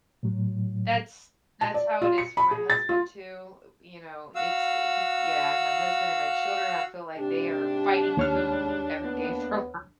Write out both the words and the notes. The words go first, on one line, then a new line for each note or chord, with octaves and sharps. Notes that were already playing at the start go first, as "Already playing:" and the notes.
that's that's how it is for my husband too, you know, it's he yeah, my husband and my children, I feel like they are fighting food every day of their
A2 F#3
A5
D5
F4
C#7
B5
G#4
A6
F4
F#4 F5 E6
G#2 C3 D4 G4
D#2 G#2 G3 C#5 F6
A#3 B3